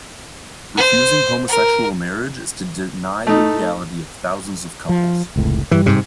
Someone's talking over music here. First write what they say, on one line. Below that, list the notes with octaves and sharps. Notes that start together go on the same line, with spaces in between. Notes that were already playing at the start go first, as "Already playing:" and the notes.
Refusing homosexual marriage is to deny the reality of thousands of couples.
C5
A#4
A3 D#4
F3
F1 C#2 A2
G2 E3 G3
G#2 C3